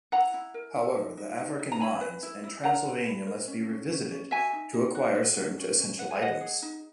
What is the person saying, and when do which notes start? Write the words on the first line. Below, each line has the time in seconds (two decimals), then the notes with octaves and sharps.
However, The African Mines and Transylvania must be revisited to acquire certain essential items.
0.12 E4 F#5 A#5
0.34 E4
0.54 A#4
0.76 E4
0.97 D#4
1.18 D#4
1.39 D#4
1.59 D#4
1.72 A#5
1.80 E4 G#5 B5
2.01 B4
2.23 E4
2.44 E4
2.63 A#4 F#5 A#5
2.85 E4
3.06 E4
3.27 A#4
3.48 C#4
3.69 C#4
3.90 C#4
4.11 C#4
4.31 F#4 E5 G#5
4.53 D#4
4.74 D#4
4.95 F#4
5.15 F#4
5.37 F#4
5.58 C#4
5.78 C#4
5.99 B4 F#5
6.11 G#5
6.20 G#4 D#5 F#5
6.41 G#4
6.62 D#4